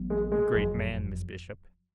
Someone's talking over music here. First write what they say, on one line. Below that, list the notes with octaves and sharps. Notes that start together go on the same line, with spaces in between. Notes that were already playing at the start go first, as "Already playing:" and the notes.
A great man, Miss Bishop.
Already playing: A1 A2 F#3 B3
G#3
G#3
F#1 F2 C#3 F#3